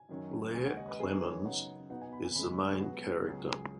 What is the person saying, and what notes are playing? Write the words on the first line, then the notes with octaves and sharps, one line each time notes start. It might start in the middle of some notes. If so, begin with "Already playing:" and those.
Blair Clemmons is the main character.
Already playing: G#5
F#2 D#3 F#3 C#4
D#2 C#3 G#3 C#4 G#5
F#5
D#5
B4
F#2 D#3 B3 D#4 G#4
C#5
C#3 F#3 D#4 F#5
B2 B3 D#4 F#5
G#5
B5
G#5
D#2 C#3 G#3 B5
B4
G#4
B2 F#3 B3 F#4
C#2 C#3 F#3 C#4 G#4
G#4